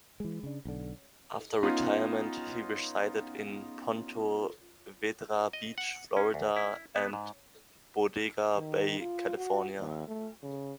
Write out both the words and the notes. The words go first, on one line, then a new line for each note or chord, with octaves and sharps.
After retirement he resided in Ponte Vedra Beach, Florida, and Bodega Bay, California.
E3 G#3
C#3 D4
B1 D3
B3 C#4 D#4 F4
D#5
F#5
C#4
D2
E4
B3
G#2
D#3
F4
F#4
D#2
A3
C#3